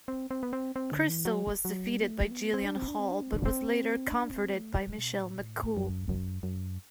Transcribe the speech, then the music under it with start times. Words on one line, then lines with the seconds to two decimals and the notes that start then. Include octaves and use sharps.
Kristal was defeated by Jillian Hall but was later conforted by Michelle McCool.
0.08 C4
0.31 C4
0.43 B3
0.53 C4
0.76 C4
0.92 D3
1.09 E3
1.25 F#3
1.65 F#3
1.87 G3
2.01 B3
2.08 A3
2.31 B3
2.54 C4
2.65 D4
2.76 C4
2.88 D4
2.99 C4
3.11 D4
3.23 C4
3.34 D4
3.45 C4
4.09 D4
4.31 C4
4.54 A3
4.76 G3
4.98 B2
5.21 A2
5.35 B2
5.43 A2
5.77 F#2
6.09 F#2
6.43 F#2